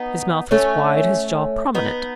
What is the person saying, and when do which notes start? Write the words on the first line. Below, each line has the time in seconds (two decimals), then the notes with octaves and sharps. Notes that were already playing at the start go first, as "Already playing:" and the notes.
His mouth was wide, his jaw prominent.
Already playing: B3 D#4
0.51 A3 C#4
1.75 B3 D#4